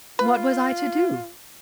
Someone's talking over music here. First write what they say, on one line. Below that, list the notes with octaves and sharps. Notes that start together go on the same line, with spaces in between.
What was I to do?
F4 B4